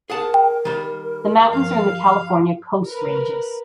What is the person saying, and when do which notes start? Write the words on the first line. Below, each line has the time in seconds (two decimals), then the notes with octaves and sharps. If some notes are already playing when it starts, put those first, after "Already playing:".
The mountains are in the California Coast Ranges.
0.10 G#4 A#4 F#5 A5
0.65 D#3 G3
1.51 G2 F3 F5
2.87 A#4 B4